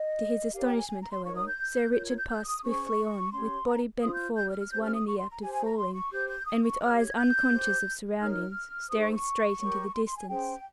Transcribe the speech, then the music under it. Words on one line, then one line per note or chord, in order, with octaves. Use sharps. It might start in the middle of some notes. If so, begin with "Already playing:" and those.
To his astonishment, however, Sir Richard passed swiftly on, with body bent forward as one in the act of falling, and with eyes unconscious of surroundings, staring straight into the distance.
Already playing: D#5
G4 A#4 C#5 F5
G5
G#5
G#5
A#5
C6
D#4 A#4 C#5 C#6
D#6
G6
F4 A#4 C#5 G6
G#6
G6
G6
D#6
C#4 G#4 C5 C#6
C#4 G4 C#5 C6
A#5
F4 C5 D#6
G6
G6
F6
F6
C#4 G4 C5 G6
F6
D#6
C#6
C6
A#5
G4 C5 G#5
G#5
A#5
C6
C#6
G4 C5 G6
G6
D#6
C#6
G4 C#5 F6
G#6
G6
G4 C5
D#4 A#4 C#5 F6
D#4 G#4 C5 D#6
C#6
C#6
G4 A#4 C#5
C6
C6
G#5
C#4 G#4 C5 G5